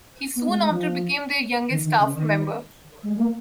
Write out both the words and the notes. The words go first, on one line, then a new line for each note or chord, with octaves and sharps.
He soon after became their youngest staff member.
B3
G#3
G#3
F3
D#3
D#3
C#3
D#3
G#3
G#3
A#3